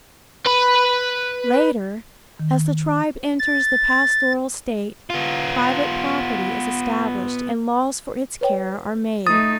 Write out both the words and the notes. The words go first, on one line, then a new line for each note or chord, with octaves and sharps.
Later, as the tribe enters the pastoral state, private property is established and laws for its care are made.
B4 B5
D#3
A6
B3 F4
B4 C#5 G5
A3 D#4 D#6 A6